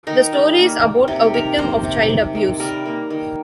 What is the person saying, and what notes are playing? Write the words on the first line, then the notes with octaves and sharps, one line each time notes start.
The story is about a victim of child abuse.
D#3 D#4
G3
A#3
D#3
C3 G4
D#3 A#4
A#3 C5
C3
C3
D#3
G3 A#4
A#3
D#3